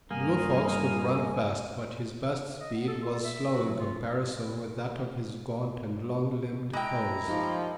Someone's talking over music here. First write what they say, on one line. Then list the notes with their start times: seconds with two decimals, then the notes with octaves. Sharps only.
Blue Fox could run fast, but his best speed was slow in comparison with that of his gaunt and long-limbed foes.
0.11 G2 G3 A#3 G#5 D#6 F6
2.60 D#5
2.75 B3
2.88 A4
3.03 F4
3.24 E5
3.54 F#4
3.66 F#3
3.79 F4
6.73 G#3 E4 G5 A#5
7.28 F3 A#3 D#4 G4